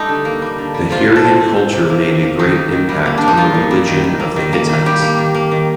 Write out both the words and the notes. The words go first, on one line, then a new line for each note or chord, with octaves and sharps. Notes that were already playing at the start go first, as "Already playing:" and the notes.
The Hurrian culture made a great impact on the religion of the Hittites.
Already playing: G3 A3 D#4
D3
A#3
G3
D3
G3
C3 F4
C3
A4
C4
C4
C4
C3
A#3
D#3
A#3
D#3 D#4
A#3
D#3
G3
A#3
A#3 D4
D#4
G3 F4
A#2
G3
D#3
D#3
A#3
D#3
A#3
D#3
G3 G4
A#3
D#3
A#3
D#3